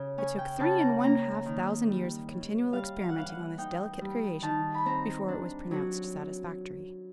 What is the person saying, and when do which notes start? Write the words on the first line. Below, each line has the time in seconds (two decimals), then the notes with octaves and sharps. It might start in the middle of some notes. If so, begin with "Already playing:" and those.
It took three and one-half thousand years of continual experimenting on this delicate creation before it was pronounced satisfactory.
Already playing: C#3
0.18 C#4 G#5
0.38 G5
0.60 C#3 A5
0.81 A#5
1.03 A#3 A#5
1.46 D#3
1.87 G3
2.31 C#3
2.73 G3 F5
3.01 F5
3.09 F#5
3.15 E3 F5
3.30 F#5
3.58 D#4 G5
4.01 G3
4.42 D#3 A5
4.74 B5
4.86 C4 A#5
5.28 D4
5.71 F#3